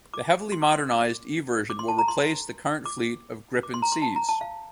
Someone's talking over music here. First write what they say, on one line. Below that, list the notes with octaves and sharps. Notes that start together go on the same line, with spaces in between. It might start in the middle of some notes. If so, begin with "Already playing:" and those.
The heavily modernised E version will replace the current fleet of Gripen Cs.
D6
C6
D6
C6
D6
D6
C6
A5
A#5
C6
D6
D6
C6
A#5
C6
A5
A#5
A5
F5